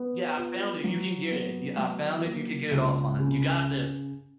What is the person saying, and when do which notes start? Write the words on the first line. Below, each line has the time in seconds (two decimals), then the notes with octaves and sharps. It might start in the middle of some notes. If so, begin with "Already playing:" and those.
Yeah, I found it. You can get it. Ye I found it, you could get it offline. You got this.
Already playing: B3
0.37 F4
0.84 F#3
1.31 B3
1.78 F#3
2.24 A#3
2.71 C#2
3.19 C#3